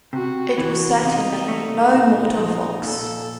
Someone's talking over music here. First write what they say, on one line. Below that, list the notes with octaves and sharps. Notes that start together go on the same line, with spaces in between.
It was certainly no mortal fox.
C3 F#4
E3 F#4
C3 D#4
A3
A#2 D#4
F3
A#2 A4